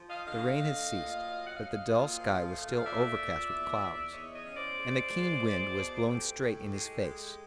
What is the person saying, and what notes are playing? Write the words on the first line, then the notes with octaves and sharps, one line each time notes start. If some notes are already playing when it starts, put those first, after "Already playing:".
The rain had ceased, but the dull sky was still overcast with clouds, and a keen wind was blowing straight in his face.
Already playing: F3
D#5 F5
D3 D#5 F5
A3
A#2
F#3
F#5
F#3 D#5 F5
A#2
F3
A3
F5
A#2 D5 E5
A#2
E2
E2
E2 C#5 D#5
C#5 D#5
C#3
C5 D5
G#3
G#3
G#3
B2
G#3 G4 A4
A2
G#3
G#3